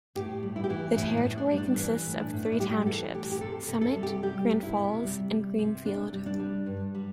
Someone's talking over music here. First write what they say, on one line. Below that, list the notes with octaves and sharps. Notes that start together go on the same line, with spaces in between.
The territory consists of three townships: Summit, Grand Falls, and Greenfield.
A2 G4
G3
E4
G4
E3 E4
A2 E4
D4
A2
D4
G3
D4
C4
E3 D4
A2
D4
A2
D4
E4
G3 G4
G4
E3 A4
A2 G4
G4
C3 A4
C3
A4
G3
G4
G3 G4
C3
E4
C3
G3
G3
C3
C3 D4
G3
D4
G3
G2
G3